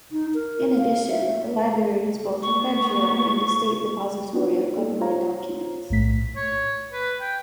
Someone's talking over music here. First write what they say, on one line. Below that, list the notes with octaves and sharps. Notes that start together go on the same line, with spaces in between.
In addition, the library is both a federal and state depository of government documents.
D#4
A#4
F5
E5
A#3 B3 C#6
B3 D4 D#4 F4 F#4 B4
A#3 D#4 A4
F4 C5 C#5 F5 A#5
B1 A2 A3 B6
C#5
B4
G5